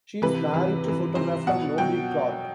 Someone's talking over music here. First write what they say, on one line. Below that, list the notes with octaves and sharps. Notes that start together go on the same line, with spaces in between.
She is married to photographer Nobby Clark.
C3 E3 B4
C3 E3
C3 E3
C3 E3 C5
B2 F#3 F#5
B2 F#3 G5